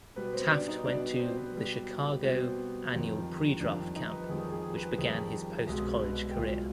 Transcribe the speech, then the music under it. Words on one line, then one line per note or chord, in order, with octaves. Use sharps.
Taft went to the Chicago Annual Predraft Camp which began his post-college career.
B2 G3 B3 B4
C4 C5
D4 D5
D#4 D#5
B2 G3 B3 D4 D5
C4 C5
B4
B2 G3 B3
B2 G3 B3 C4 C5
F2 D#3 G3
F2 D#3 G3 D4 D5
D#4 D#5
B4
F2 D#3 G3 G#4
G#4
B4
F2 D#3 G3 G#4
C2 B2 G#3 G#4
B4
G5
C2 B2 G#3 F4 F5